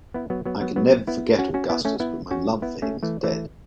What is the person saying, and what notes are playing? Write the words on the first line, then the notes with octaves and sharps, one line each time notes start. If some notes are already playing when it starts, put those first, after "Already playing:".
I can never forget Augustus, but my love for him is dead.
B3 E4
F#3 B3
F#3 B3
F#3 B3
F#3 B3
B3 E4
C#4 F#4
C#4 F#4
B3 E4
A3 C#4
B3 E4
C#4 F#4
B3 E4
A3 C#4
E3 A3
E3 A3